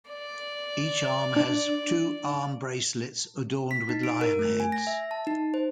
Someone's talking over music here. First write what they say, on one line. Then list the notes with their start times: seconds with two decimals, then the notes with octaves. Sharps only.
Each arm has two arm bracelets adorned with lion heads.
0.11 D5
1.36 D4
3.71 B6
3.89 D#4
4.03 D7
4.21 A#4
4.39 A3
4.60 G#5
4.72 A#6
4.87 E5
5.11 A5
5.27 D#4
5.54 C5